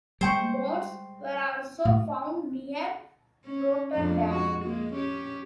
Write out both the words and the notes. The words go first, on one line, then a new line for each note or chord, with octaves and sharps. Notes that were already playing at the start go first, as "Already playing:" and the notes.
Bones were also found near Rotterdam.
G3 G#3 C5 G5 C#6
A2
C#4
F2 G#3 D4
G#3 F#4
G#3 A#3
C#4 G4